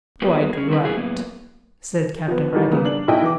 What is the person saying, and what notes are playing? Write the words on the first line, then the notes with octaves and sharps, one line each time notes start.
"Quite right!" said Captain Wragge.
G3 A#3 B3 F#4 G#4 B4
C#4 G#4
F#3 G3 C4 B4
E4 F#4 G#4
F#2 A2 A#3 B3
F3 B3
D#3 E3 G3
C#3 A#3 B3
D4 F#7
B1 E4 D#5 G5
E3 D6